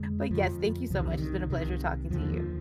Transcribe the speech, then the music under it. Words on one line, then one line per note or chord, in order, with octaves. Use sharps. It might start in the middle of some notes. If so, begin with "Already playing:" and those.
but, yes, thank you so much. It's been a pleasure talking to you.
Already playing: F2 D3 G#3
F2 D3 F3
C2 C3 F3
D#3
D3
D#3
C2 C3 D#3
D#2 D3 F3
D#3
F3